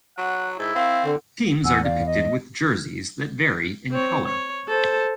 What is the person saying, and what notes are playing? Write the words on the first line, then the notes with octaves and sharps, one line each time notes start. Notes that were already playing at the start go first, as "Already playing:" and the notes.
Teams are depicted with jerseys that vary in color.
F#3 F#5
G#2 E4
C4 F5
D3
E2 F#5 G#5 E6
D5 F5
D#5
C4 C#5
C#5
A4 C5